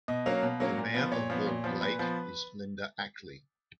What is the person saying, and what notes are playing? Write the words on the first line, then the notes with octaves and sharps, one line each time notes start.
The mayor of Walled Lake is Linda Ackley.
B2 D#5
F#3 A#3 C#4 F5
B2
F#3 A#3 C#4
A#2
F3 B3
A#2 C#5
F3 B3
A#2
F3 B3
A#2 B4
F3 B3